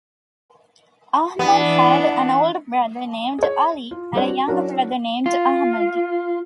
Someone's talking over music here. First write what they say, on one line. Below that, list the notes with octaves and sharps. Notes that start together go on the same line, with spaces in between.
Ahmad had an older brother named 'Ali and a younger brother named Ahmad.
E3 B3 D4
G#4 C#5
F4
G3 C4 D4 B4 C#5
F#4
F#3 C#4 D4 E4 F#4 A#4
F4